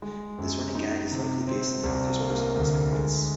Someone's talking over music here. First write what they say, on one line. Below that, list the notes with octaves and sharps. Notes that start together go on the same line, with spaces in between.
This running gag is likely based on the author's personal experience.
G#3
F#2
D#4
C3
C4
C2
A#3
D2
G#3